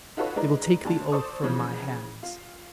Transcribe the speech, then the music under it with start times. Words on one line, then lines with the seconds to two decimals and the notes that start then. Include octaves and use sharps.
They will take the oath from my hands.
0.17 D#4 F4 F#4 A4 B4 C#5
0.36 G#3 D4 E4 A#4 B4 D#5
0.85 D2 D3 A5
1.12 A4 C5 D5 C#6 D#6
1.42 C#3 E3 F3
2.23 F4